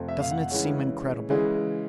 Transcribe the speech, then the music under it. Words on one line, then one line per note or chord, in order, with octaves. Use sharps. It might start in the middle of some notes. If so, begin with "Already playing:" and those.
Doesn't it seem incredible!
Already playing: F2 C3 F3 A3 C4
E5
F5
F#5
C#3 E3 G#3 C#4
C#3 E3 G#3